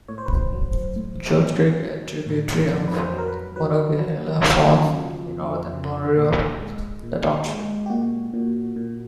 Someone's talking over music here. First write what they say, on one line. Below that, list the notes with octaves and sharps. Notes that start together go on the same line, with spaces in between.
Georges Creek, a tributary of the Monongahela, forms the northern boundary of the township.
A2 C#5
C5
B4
C5
F#3
A2
F#3
F#3
A2
F2
B4
C5
F#3
A#4
B4
F#3 B4
F#3
F#3 F4
F#4
F4
C#3
F2
C#3
A#2
G#3
A#2
G#3
G4
A#2 F#4
A#2
A#2